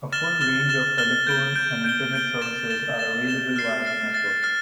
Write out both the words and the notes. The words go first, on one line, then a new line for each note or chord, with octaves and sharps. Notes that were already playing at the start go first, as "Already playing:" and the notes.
A full range of telephone and Internet services are available via the network.
F6 A6 E7 G7
F6 A6 E7 G7
F6 A6 E7 G7
F6 A6 E7 G7
G6 D7 G7
G6 D7 G7
G6 D7 G7
G6 D7 G7
A6 E7 G7
A6 E7 G7
A6 E7 G7
A6 E7 G7
F6 A6 C7
F6 A6 C7
F6 A6 C7
F6 A6 C7